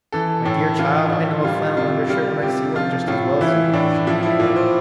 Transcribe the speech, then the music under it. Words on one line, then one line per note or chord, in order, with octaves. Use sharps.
"My dear child, I know a flannel undershirt when I see one, just as well as you do," she declared.
E3 A4
A2 A4
E3 F4
A2
G3 F4
C3 F4
G3 F4
C3 G4
F3 F4
A2 F4
E3 E4
A2 D4
F3 E4
E4
A#2
C5